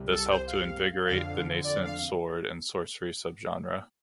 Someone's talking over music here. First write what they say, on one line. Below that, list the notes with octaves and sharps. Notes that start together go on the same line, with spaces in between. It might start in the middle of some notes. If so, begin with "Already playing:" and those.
This helped to invigorate the nascent sword and sorcery subgenre.
Already playing: C2 C3
A4
C5
F5
F2 D3 F5
D5
F5